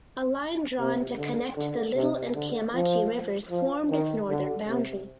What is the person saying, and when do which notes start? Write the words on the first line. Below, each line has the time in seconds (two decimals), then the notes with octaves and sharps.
A line drawn to connect the Little and Kiamichi rivers formed its northern boundary.
0.79 C3
1.18 D3
1.57 D3
1.95 C3
2.34 D3
2.74 F3
3.50 F3
3.90 D#3
4.29 D3
4.68 C3